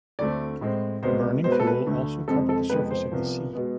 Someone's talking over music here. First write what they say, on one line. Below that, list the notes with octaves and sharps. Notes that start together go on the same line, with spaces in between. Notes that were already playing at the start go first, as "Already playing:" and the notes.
Burning fuel also covered the surface of the sea.
D2 D3 A3 C4 D5
A2 G#3 C4
C2 B2 G#3 B3 C5
B2 G#3 B3 C5
B4
A4
B4
D2 D3 A3
F2 C3 G#3 C4 A4
A4
F2 C3 G#3 B3 B4
C5
C2 C3 F3 B3
B2 G#3 B3